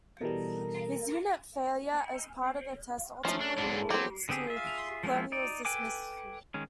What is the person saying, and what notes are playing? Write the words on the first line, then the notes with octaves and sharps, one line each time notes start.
His unit's failure as part of the test ultimately leads to the colonel's dismissal.
B2 E3 G3 A4 A#4 D#5
F3 A3 C#4 A#4
D4 A4
G#2 D3 G#3 D4
E3 A4 B4
F#3 C4 G4
D3 B3 C4 G4 G#4
F4 G#4 E5
F3 G#3 A#3 B3 E4
D#4 D5
A4 B4 G5 G#5 D6
D#3 G#3 C#4